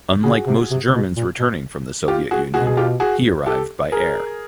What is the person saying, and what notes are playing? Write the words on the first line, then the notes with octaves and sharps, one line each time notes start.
Unlike most Germans returning from the Soviet Union he arrived by air.
C#3 F#4 G#4
C3
C3
B2
A#2
B2
F4 G4
F#4 G#4
B2 F#4 G#4
G#4
F4 G4
F#4 G#4
G4 A4
G#4 A#4